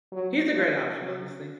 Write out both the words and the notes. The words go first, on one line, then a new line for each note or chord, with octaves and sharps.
He's a great option, honestly.
F#3
F3
F#3